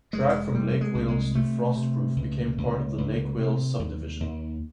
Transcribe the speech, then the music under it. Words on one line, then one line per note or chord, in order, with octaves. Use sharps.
Track from Lake Wales to Frostproof became part of the Lake Wales Subdivision.
F1 G#3
C3 G3
G#3
C2
G#3
C3 A3
C3
C#2
C#2
C#2
C3
D#2
D#2